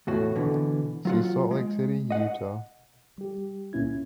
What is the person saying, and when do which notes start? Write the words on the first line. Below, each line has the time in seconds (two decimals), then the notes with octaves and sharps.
See Salt Lake City, Utah.
0.07 E2 A2 F#4
0.36 B2 D3 E3
1.05 F#3 F4 F#5
1.51 G#3
2.10 D#5 F#5
3.18 G3 G4
3.73 C#2 A#2 A#3 C#4 E4 G#6